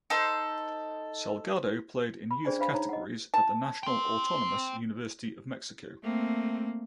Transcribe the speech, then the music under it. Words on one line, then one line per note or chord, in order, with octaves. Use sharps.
Salgado played in youth categories at the National Autonomous University of Mexico.
D#4 A4 C5
B5
D4 G#4 C5 D5 G#5
D4 C5 F5 B5
D#4 C#5 A#5
D#5 F#5
A5
G5 C6
A3 A#3 C4